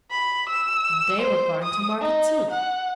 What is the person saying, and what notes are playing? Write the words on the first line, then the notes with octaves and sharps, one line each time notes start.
And they were going to market too.
B5
E6
C5
D#6
D#4
F#5